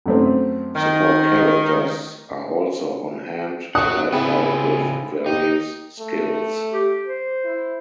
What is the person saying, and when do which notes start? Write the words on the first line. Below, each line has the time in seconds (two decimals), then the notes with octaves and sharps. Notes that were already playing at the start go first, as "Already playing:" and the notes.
Support characters are also on hand to help out with various skills.
0.06 F#2 A3 C4
0.75 D#3
3.75 F#2 C#5 F#5 D#6 F#6
4.12 C#3 B3 C4 E4 G#4 B4
5.26 D#4 G4
5.99 A3
6.73 G4
7.07 C5
7.45 E4